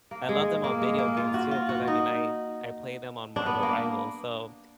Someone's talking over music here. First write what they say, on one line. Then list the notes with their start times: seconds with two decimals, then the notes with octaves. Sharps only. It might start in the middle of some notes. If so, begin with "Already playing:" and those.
I love them on video games too, 'cause I mean, I I play them on Marvel Rivals, so,
0.11 A#3
0.29 G#3
0.64 A#3
0.82 G#3
0.98 A#3
1.17 F4
1.34 F#4
1.51 F4
1.69 F#4
1.88 D#4
3.36 D4
3.46 B3
3.63 A#3